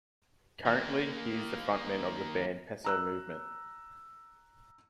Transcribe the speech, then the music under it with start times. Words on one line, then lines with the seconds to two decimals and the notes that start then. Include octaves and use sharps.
Currently, he is the frontman of the band Peso Movement.
0.65 D#3 A#3
2.85 A#5 E6 F#6